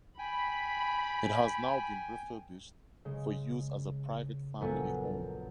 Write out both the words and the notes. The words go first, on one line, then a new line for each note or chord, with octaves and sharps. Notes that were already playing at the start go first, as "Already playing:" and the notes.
It has now been refurbished for use as a private family home.
G5 G#5 B5
C#3 G#3
A#1 F#2 B3 A4 F#5 G#5